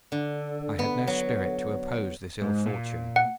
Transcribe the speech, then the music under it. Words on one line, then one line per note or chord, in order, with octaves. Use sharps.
I had no spirit to oppose this ill fortune.
D3
B3
F#3
G#2
A#2
F#5